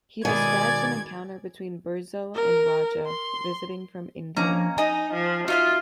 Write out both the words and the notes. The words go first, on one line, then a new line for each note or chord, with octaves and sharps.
He describes an encounter between Burzoe and a Raja visiting from India.
B2 D#3 G#3 D5 G#5 G#6
A#4
C6
F3 A#3 C#4 D4 D#5 A#5
D#4 D#5 G#5
F3
D#4 F4 F#4 E5 F5 F6